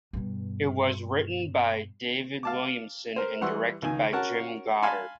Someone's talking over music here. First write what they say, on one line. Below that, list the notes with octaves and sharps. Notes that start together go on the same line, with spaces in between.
It was written by David Williamson and directed by Jim Goddard.
G2 B2
F5 A5 D6
A#4 C5
E3 G3 F#5 C6 C#6 E6
C#2 D#3 G#5
C#4 F#4 A#4 F#5 A5
F5 G#5 A5 B5 C6